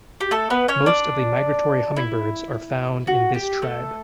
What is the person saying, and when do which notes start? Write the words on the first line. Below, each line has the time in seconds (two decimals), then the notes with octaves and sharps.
Most of the migratory hummingbirds are found in this tribe.
0.20 G4
0.31 A3 A4
0.50 B3 B4
0.68 C#4 C#5
0.86 D4 D5
1.96 E4
3.07 F#4
3.34 G4
3.62 A3 A4